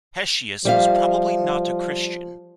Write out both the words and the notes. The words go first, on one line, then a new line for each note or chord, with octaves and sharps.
Hesychius was probably not a Christian.
F3 G3 E5 F5